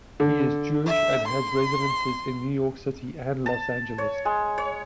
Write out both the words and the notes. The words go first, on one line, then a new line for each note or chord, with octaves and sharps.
He is Jewish and has residences in New York City and Los Angeles.
D3
E5
C6
A5
C#5
G#3
C#5